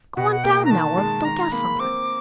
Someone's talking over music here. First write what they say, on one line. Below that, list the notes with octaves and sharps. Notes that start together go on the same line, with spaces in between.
Go on down now, or they'll guess something.
B2 F#5
F#5
A#3 G5
A#5
D#3 A5
G#3
D#3 A#5
A#3 B5
C4 D6